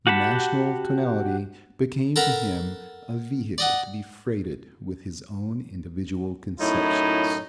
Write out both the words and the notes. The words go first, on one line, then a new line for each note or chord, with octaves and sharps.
The national tonality became to him a vehicle to be freighted with his own individual conceptions.
F#4 G4 F#5 A5 B5
A4 A#4 F#5 A#5 B5
D5 D#5 F#5
F#2 A2 D#4 E4